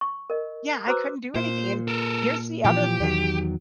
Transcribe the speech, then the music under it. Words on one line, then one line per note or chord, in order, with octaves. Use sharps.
Yeah, I couldn't do anything, and, here's the other thing.
C#6
A#4 D#5
F#4 B4 C5 A#5 D6 E6
A#2 C5
A4 A#4
A#2 E3 F3 G4
E2 D#3 F#3